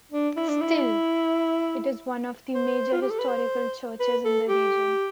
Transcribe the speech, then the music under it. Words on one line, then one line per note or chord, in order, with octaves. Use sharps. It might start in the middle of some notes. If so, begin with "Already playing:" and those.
Still, it is one of the major historical churches in the region.
D4
E4
D4
E4
C5
F4
G4
A4
B4
C5
B4
A4
G4